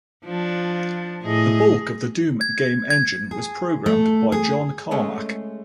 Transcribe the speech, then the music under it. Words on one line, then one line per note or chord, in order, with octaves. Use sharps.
The bulk of the "Doom" game engine was programmed by John Carmack.
F3 D4
A2 G#4 D#5
G#6
G#6
G#4
A3
G#4
G#3 A3 C#4